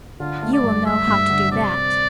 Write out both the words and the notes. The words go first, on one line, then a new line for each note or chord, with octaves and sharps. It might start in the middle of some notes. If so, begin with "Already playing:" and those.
You will know how to do that.
D3 F4
A3
D5
G2
A3 E5
G2
D3
C3 D5
C4